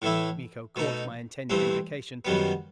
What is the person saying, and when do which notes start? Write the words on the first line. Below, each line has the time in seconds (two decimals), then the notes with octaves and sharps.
Miko caught my intended implication.
0.02 A2 E3 A3 E4
0.76 B2 A3 D#4
1.50 G2 E3 A3 C4
2.25 F#2 D#3 G3 B3